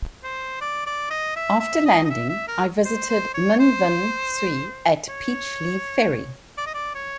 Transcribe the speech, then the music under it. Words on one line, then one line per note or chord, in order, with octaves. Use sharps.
After landing, I visited Min Vin-sui at Peach Leave Ferry.
C5
D5
D5
D#5
E5
E5
D#5
D#5
E5
E5
A#4
C5
C5
C#5
C5
C#5
D5
D#5
D5
C#5